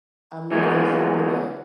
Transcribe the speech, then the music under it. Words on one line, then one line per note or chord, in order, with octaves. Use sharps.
I'm one of those people that
E3 F#3 G#3 A#3 B3